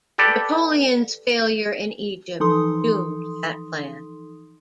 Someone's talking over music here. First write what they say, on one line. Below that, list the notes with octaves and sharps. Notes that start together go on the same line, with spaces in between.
Napoleon's failure in Egypt doomed that plan.
G4 A4 B4 D5
E3 F3 D#4 A4 C6 D#6